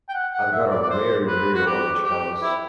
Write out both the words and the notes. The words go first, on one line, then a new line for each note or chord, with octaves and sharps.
I've got a very, very large house.
G5
F#5
F#5
E5
D5
D5
C5
B4
F#4
G4
G4
E4